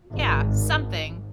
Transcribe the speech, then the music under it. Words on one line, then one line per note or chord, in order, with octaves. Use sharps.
Yeah, something,
G#1